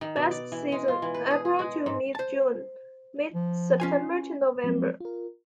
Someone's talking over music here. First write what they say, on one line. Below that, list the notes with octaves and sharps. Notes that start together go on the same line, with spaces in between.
Best Season: April to Mid-June; Mid-September to November.
D#3
B2
D5
E3
G#3
F4
E3
B4
G#4
G#4
G#3
G#2
C5 A5
F3
C#4 F4 G#5
F3 F#3 G#3 C4
F4 A#4